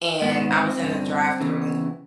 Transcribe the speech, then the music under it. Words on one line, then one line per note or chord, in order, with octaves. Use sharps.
and I was in the drive-through,
G#2 D#3 B3
C4
G2 D3
E2 C#3 E3